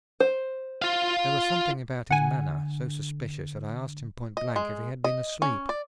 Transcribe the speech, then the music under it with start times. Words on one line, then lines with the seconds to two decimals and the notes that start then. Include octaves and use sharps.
There was something about his manner so suspicious that I asked him point blank if he had been asleep.
0.20 C5
0.82 F4 F5
2.11 D3 F#5 G#5
4.37 D#5
4.56 G#3
5.04 D#5
5.42 C#4
5.69 D5